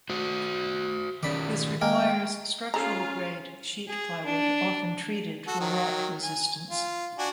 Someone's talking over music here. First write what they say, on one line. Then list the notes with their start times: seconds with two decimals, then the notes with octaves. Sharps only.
This requires structural grade sheet plywood, often treated for rot resistance.
0.10 F#4 C5
1.23 D#3 C#4 D5 B5
1.81 G#3 A#3 G5
2.74 C#4 F4 G#4 A4 C5 F5 A#5
3.88 G#4
4.25 D4
5.47 F#4 A4
5.60 D#3 F#3
6.23 G#5
6.70 F4
7.18 D4 F#4 G#5